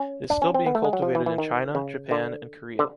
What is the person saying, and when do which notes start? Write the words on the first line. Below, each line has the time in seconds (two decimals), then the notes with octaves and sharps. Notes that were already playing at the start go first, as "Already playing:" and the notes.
It is still being cultivated in China, Japan and Korea.
Already playing: C#4
0.30 D4
0.42 C#4
0.54 C4
0.66 B3
0.75 A3
0.84 G#3
0.93 F#3
1.02 F3
1.15 E3
1.26 E3
1.38 D#3
1.75 C#3
2.11 D3
2.79 D3